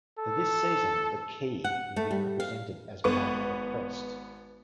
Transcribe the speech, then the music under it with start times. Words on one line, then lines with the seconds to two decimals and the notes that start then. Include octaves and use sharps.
For this season, the "key" would be represented as part of a crest.
0.19 A4
1.64 F#5
1.96 A3
2.11 G3
2.40 F5
3.04 G#1 B3 C#6